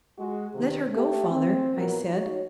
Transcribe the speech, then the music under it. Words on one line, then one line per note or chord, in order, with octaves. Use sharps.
"Let her go, father," I said.
G#3 F#4
C3 D#3
A3 G4
C4
A#2 E3 F#3 B3 A#4
D#4 F#4 C#5